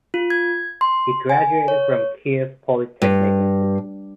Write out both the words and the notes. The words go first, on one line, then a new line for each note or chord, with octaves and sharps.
He graduated from Kyiv Polytechnic Institute.
F4
G#6
C6
G#5
C#5
G2